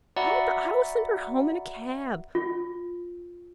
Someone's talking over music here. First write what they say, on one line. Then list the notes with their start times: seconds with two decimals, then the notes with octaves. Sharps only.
'Oh, but I will send her home in a cab.
0.16 F#4 D5 E5 F#5 A#5 B5
2.35 F4